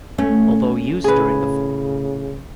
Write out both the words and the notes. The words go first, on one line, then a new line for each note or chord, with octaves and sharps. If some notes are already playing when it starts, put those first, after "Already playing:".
Although used during the First World War, they were sold when the war ended.
A3 C#4
A2 C#3 G#4 B4